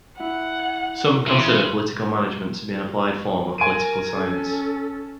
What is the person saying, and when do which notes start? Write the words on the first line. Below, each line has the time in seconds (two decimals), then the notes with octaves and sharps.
Some consider political management to be an applied form of political science.
0.20 E4 F#5
1.27 C#3 E3 C6
3.58 A#4 G#5 D7 D#7
4.14 C#4 A4